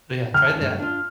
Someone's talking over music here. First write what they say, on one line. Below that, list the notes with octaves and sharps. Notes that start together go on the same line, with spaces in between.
So yeah, try that.
D3 F6
C#2 C#3 A5
G2 A3
D4 F4